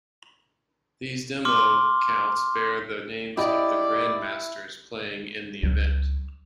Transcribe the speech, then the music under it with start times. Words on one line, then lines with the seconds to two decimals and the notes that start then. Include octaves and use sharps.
These demo accounts bear the names of the grandmasters playing in the event.
1.45 C6 D6 F6
3.37 E4 G4 D5 D#5
5.63 C#2 F#3